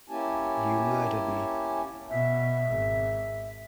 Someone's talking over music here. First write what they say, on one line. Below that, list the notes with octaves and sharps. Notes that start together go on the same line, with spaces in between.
You murdered me.
A#3 C#4 E4 G4 G#5 A5
B2 E5
G#1